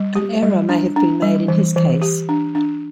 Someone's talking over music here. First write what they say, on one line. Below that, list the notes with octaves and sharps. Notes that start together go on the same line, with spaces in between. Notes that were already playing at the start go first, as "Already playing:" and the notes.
An error may have been made in his case.
Already playing: G3
G4
G3
D4
D4
G3
E3
E3
G4
D4
D4